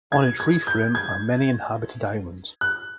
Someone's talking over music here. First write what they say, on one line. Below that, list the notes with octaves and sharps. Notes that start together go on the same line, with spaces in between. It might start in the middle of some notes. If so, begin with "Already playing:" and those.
On its reef rim are many inhabited islands.
G#6
G#6
G6
G#6
F#6